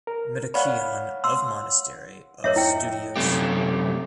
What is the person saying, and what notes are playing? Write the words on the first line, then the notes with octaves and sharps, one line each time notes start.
Metochion of Monastery of Stoudios.
A#4
C#5 D5 F5 F#5 B5
C6 E6
F2 G#2 A#4 C#5 D#5 E5
E4 G5
F#2 C3 A3 G4